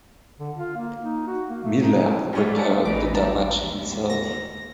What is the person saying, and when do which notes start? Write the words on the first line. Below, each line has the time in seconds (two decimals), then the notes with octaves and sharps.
Miller repaired the damage himself.
0.39 D3
0.56 F4
0.77 A#3
1.01 D#4
1.27 F#4
1.50 A#3
1.64 A3
1.82 D#4
2.33 G3 A3 C#4 D4 F4
2.85 A1 E3 D#4 D6
3.14 D#2 D5 A5 A#5
4.10 A#6